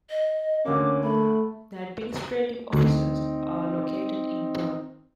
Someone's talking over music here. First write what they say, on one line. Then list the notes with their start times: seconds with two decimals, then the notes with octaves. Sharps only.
The administrative offices are located in Bern.
0.10 D#5
0.65 D2 D3 A#3 C#4 D6
1.03 A3 B5
2.73 D2 C4 D#4